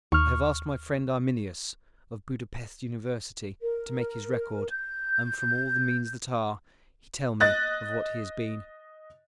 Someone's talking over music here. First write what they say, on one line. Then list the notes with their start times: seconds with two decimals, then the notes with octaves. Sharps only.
I have asked my friend Arminius, of Buda-Pesth University, to make his record; and, from all the means that are, he tell me of what he has been.
0.12 D#2 C#6 F6
3.61 A#4
4.70 G6
7.40 D#5 F#6 A6